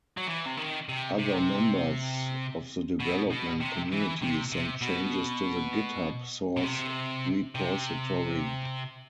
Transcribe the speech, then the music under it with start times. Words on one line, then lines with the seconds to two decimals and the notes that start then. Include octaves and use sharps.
Other members of the development community send changes to the GitHub source repository.
0.17 F#3
0.27 E3
0.46 C3
0.57 D#3
0.89 C3
1.18 C3
3.00 B2
3.30 B2
3.60 C3
3.92 E3
4.22 C3
4.52 C3
4.82 B2
6.57 B2
6.63 C3
7.55 C3